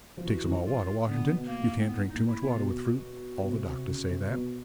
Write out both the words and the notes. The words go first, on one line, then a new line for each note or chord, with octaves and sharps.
Take some more water, Washington--you can't drink too much water with fruit--all the doctors say that.
F3
E3 F#4
E3
F3
F4
D3 B3
B2
A#3
A#2
C4
A2 B3
D#4
A#2
E4
B2 E4
C3 F4
B2
F#4
B2
C3
C3
C#3
C3
B2